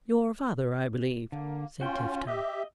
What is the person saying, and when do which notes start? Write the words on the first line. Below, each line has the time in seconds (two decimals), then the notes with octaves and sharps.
"Your father, I believe?" said Tifto.
1.32 D3 A#3
1.81 C#4 F4 F#4 G5
2.27 G4 D#5 E5